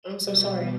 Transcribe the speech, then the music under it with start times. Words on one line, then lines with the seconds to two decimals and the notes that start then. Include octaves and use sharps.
I'm so sorry.
0.23 B2 G3